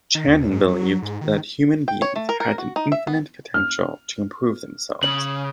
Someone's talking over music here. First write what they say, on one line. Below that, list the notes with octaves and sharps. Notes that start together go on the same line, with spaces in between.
Channing believed that human beings had an infinite potential to improve themselves.
D#3
D#2
G#2
F#3
G#2
D#3
G5
C#5
A3
A#4
A#4
F#4
D#4
E5
B3
F6
C#3 F#7